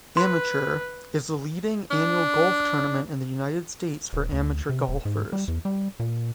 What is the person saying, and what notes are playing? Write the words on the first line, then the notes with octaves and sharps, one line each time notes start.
Amateur, is the leading annual golf tournament in the United States for amateur golfers.
B4 C6
D4
D#1
D2
C3
D#1
G#2
G3
E2
G3
A#2